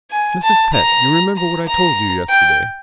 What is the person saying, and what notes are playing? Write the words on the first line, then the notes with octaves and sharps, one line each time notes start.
"Mrs. Pett, you remember what I told you yesterday?"
G#5
A5
A#5
A#5
A#5
G5